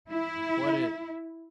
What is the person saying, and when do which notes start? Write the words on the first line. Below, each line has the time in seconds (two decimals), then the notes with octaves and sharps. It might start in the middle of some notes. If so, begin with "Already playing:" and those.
What did
0.10 E4